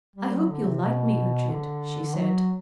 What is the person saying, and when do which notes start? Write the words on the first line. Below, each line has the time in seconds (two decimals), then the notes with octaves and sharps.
"I hope you'll like me, Ughtred," she said.
0.16 G3
0.32 F#3
0.49 D3
0.66 C3
0.83 B2
1.50 D3
2.17 F#3